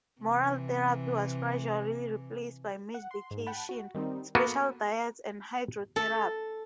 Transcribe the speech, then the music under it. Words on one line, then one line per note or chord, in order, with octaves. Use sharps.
Moral therapy was gradually replaced by medication, special diets and hydrotherapy.
C3 E3
F#5
C6
G#2
F#5 G5 A5 B5
F#4
D#3 G3 C4 D#4
A#3 B3 F#4 A4 B4
A4